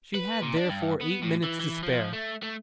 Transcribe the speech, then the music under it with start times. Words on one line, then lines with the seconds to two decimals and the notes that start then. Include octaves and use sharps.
She had, therefore, eight minutes to spare.
0.15 B4
0.42 A#2
0.57 D4
0.70 G2
1.01 B3
1.23 A2
1.44 E3
1.60 E3
1.83 F3
2.13 A3
2.43 A3